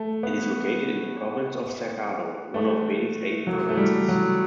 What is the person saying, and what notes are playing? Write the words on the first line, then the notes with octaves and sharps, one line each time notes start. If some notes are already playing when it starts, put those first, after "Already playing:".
It is located in the province of Cercado, one of Beni's eight provinces.
Already playing: A3
B3
A3
F#3
A3
G3
F#3